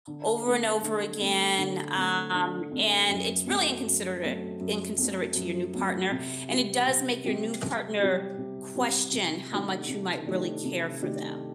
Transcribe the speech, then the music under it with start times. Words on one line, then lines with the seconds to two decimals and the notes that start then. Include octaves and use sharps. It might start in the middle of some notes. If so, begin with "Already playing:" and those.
over and over again, um, and it's really inconsiderate inconsiderate to your new partner, and it does make your new partner question how much you might really care for them.
0.07 D3
0.45 A3 C4
0.83 D3
1.21 A3 C4
1.58 D3
1.96 A3 C4
2.34 D3
2.72 A3 C4
3.10 F#2
3.47 F#3 A3 C4
3.85 F#2
4.23 F#3 A3 C4
4.60 F#2
4.98 F#3 A3 C4
5.36 F#2
5.74 F#3 A3 C4
6.11 C3
6.49 G3 C4 G4
6.87 C3
7.24 G3 C4 G4
7.62 C3
8.00 G3 C4 G4
8.38 C3
8.75 G3 C4 G4
9.13 C3
9.51 D#3 A3 D4 G4
9.89 C3
10.26 D#3 A3 D4 G4
10.64 C3
11.02 D#3 A3 D4 G4